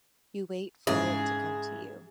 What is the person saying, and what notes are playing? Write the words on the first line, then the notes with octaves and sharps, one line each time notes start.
You wait for it to come to you.
G#2 C#3 E4 G#4